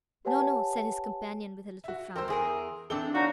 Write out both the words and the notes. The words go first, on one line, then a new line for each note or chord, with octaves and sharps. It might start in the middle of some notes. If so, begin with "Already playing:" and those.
"No, no," said his companion, with a little frown.
G4 B4 C#5 F#5 G#5 A5
F#4 E5
A#4 C5 G5 C6 E6
E2 G#4 A#4
E3 C4 D4 A4 G7
B3 D4 D#4 F#4 C#5 F5